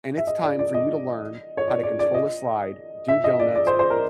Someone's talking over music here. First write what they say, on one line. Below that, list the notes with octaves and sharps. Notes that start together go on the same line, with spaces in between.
and it's time for you to learn how to control the slide, do donuts,
E5
D#5
D5
D5
D#5
C#5
D5
D5
D5
D#5
E5
D#5
D5
D5
C5
C5
A#4